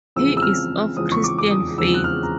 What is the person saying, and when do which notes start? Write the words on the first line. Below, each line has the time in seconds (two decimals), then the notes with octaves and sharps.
He is of Christian faith.
0.16 E2 C#3 F3 G#3 C4 E6
0.37 E6
0.42 F6
0.97 E2 C#3 F3 G#3 C4 D#6
1.12 C#6
1.24 D6
1.38 D6
1.51 D#6
1.78 E2 C#3 F3 G#3 C4 E6
1.94 F#6
2.04 F6
2.23 A#5